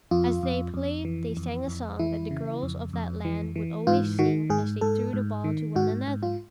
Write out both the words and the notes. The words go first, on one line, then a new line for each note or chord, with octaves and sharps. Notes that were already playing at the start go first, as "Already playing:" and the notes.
As they played they sang a song that the girls of that land would always sing as they threw the ball to one another.
F2 F4
F2
F2
E3
F2
F2
E3 E4
C#3
F2
F2
E3
E3
G#2 F4
D#3 F#4
G#2 G#4
G#2 A4
G#2
D#3
G#2 F#4
G#2
F4